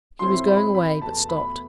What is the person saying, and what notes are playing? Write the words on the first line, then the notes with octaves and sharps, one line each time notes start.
He was going away, but stopped.
A2 F#3 C4 E4 C6
B5
B5
E2 B2 A3 A5
B5